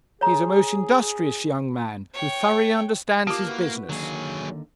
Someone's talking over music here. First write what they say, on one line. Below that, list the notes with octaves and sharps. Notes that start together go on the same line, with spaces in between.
'He is a most industrious young man, who thoroughly understands his business.
G#4 C#5 A#5
C#5 G5
A#3 F4 G4 A5
E4 F#4 B4
D3 D#3 F#3 A#3 G#4